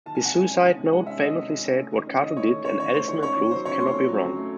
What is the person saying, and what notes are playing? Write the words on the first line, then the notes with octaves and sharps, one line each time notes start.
His suicide note famously said: What Cato did, and Addison approved, cannot be wrong.
D#3 A5
G#5
C3 F#5
G#3 G#5
C#4
D#3
C3
G#3 F#5
C#4 E5
D#3 D#5
C3
G#3
C#4
A3
D#3
C#4
D#3 D#5
A3 C#5
D#3
C#4 C#5
D#3 C#5
A3 C5
D#3 C#5
C#4 C#5
D#3
F#3 C5
C#3 C#5
A3 C6
C4
F#3
C#3
A3